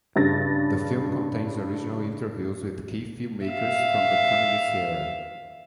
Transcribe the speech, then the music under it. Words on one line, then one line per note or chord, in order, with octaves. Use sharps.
The film contains original interviews with key filmmakers from the communist era.
G2 C#3 A6 A#6
E5 F5